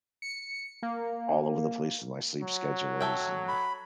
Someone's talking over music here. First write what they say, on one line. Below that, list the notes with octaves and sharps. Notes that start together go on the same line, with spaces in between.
All over the place with my sleep schedules and
C#7
A#3
F#3
A4 E5 G5
B5